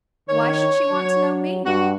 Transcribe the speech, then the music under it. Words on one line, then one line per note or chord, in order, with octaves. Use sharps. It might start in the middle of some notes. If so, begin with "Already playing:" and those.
"Why should she want to know me?"
D#3 C#5
F#3
G2 F#4